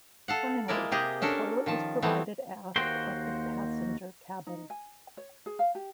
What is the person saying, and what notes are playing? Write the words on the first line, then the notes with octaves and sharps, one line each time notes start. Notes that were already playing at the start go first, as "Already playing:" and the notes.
Finally, a toilet was provided aft of the passenger cabin.
A4 F5 F#5
G#3 A#3 E4 A#4 D5
C3 G4 G#4 D#5
C#4 D4 A4 A#4
D#3 F3 A5
E3 A3 B3 C4
D#2 A#3 F#4 C5 G5 C6
D#4
G#5
C#5
G#4
F5
G4